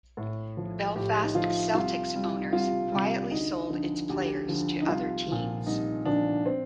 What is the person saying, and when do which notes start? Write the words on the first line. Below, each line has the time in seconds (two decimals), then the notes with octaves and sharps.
Belfast Celtic's owners quietly sold its players to other teams.
0.17 A2
0.57 F3
0.95 A2 G4
1.23 D#4
1.35 F3 F4
1.74 C2 F4
2.13 C3 G3
2.53 C2 F4
2.92 C3 G3
3.31 D2 D#4
3.70 D3 F3
4.09 D2 G4
4.48 D3 F3
4.81 D#4
4.88 C2 F4
5.28 A#2 F3
5.66 C2 D#4
6.05 A#2 F3 D4
6.45 C4